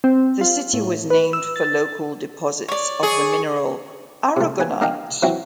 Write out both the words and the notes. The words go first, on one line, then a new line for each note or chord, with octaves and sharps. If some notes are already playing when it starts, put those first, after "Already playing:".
The city was named for local deposits of the mineral aragonite.
C4
F4
A2
B4
E6
A6
C#5 D5
G#4 C#6
C3 A3
D#2 B4 G#5
A#3 D4 D#5 F5 G5
E3 F#3 C4 E4 F#4